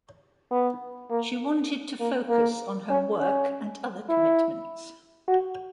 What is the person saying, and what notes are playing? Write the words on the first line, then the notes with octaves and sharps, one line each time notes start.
She wanted to focus on her work and other commitments.
B3
A#3
A#3
A#3
C#4
C#4
E4
F#4